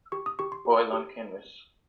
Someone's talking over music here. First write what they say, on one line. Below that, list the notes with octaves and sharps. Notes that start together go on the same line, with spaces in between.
Oil On Canvas.
G4 C#6
D#6
G4 C#6
C6
G4
G4